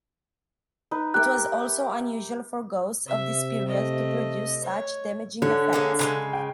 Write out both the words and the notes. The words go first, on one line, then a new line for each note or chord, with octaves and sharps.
It was also unusual for ghosts of this period to produce such damaging effects.
D#4 B4
G4 A#4 E5 F#6
C3 E5
A3 D#5
C#5
D3 C#4
G#3 A#3 C#4
C#3 F3 G#3
G5